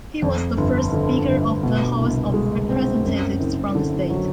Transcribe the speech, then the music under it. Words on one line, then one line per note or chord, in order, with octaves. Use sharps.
He was the first Speaker of the House of Representatives from the state.
F2
G1
D3
G1
B2
C2
G#3
C4
F#2
F#1
D3
F#3